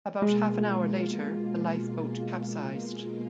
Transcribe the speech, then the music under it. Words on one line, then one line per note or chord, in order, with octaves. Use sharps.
About half an hour later the lifeboat capsized.
B2 G#3 A#3 F4